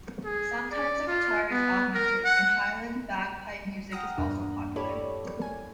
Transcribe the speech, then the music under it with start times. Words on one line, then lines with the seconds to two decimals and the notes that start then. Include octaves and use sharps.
Sometimes a guitar is augmented, and Highland bagpipe music is also popular.
0.25 G#4
0.71 D5
1.07 F4
1.51 B3
1.94 A#4
2.24 F#5
3.91 F#5 G5 A#5 D#6 F6 A#6
4.18 E2 G2 B2 A#3 D4
4.76 E4 G4 A4 C#5 D5 B5
5.37 A#3 G#5